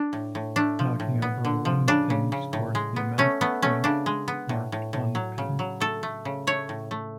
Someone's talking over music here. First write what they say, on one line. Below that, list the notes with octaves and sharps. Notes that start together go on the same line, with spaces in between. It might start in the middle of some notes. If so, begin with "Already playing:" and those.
Knocking over one pin scores the amount of points marked on the pin.
Already playing: D4
A2
A2
A3 D4
F3
A2
B3
D3
F3
C#3 D4
C#3
C#3
A2
G#3
B3
A3 C#4
A3 B3
A3 C#4
C#3 D4
G#3
B3
A2
A2
A2
F#3
C#3
F#3
A3 A4
A3
C#3
A3 C#5
A2
A3